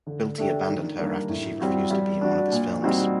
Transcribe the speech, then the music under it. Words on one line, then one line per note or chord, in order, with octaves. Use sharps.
Quilty abandoned her after she refused to be in one of his films.
D3
A3 D4 G4
D#3
G3 A#3 D4
A2
G3 C4 F#4
G3
D4 F#4
A#2
G3 C4 D#4 F#4